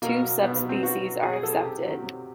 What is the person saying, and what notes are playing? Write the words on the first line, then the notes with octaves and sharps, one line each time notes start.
Two subspecies are accepted.
B2 A#3
F#3
B2 B3
B3
F#3
C4
B2 F#4
F#3
B2 G#4
G#4
F#3 A4
G#4
C3 G4
D#3 F#3
C3